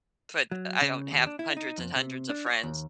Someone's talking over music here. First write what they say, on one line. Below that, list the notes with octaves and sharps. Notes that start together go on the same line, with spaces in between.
put I don't have hundreds and hundreds of friends
F#3
C#3
D#2
D4
E4
D#4
F2
C3
D4
C#5
D#2